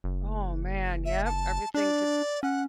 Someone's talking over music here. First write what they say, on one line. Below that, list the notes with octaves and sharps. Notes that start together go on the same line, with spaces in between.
Oh man, yep, everything gets
F#1
E5
A5
D4 D5
C#4 F#5